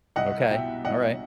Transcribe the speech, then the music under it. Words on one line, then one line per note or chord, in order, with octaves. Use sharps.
Okay. Alright.
C2 D#5 F#5
B2 E5 G5
C2 D#5 F#5